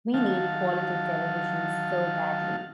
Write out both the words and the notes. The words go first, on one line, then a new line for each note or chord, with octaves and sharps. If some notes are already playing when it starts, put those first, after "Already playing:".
We need quality television so badly.
D#3 F#3 F5 A5